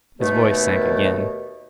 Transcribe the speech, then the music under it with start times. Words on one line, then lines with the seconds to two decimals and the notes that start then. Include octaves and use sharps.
His voice sank again.
0.20 D#2 B2 A3